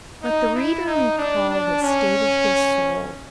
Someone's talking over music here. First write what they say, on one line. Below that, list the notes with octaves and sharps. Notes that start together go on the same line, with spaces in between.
Let the reader recall the state of his soul.
D#4
E4
D#4
D4
D4
C#4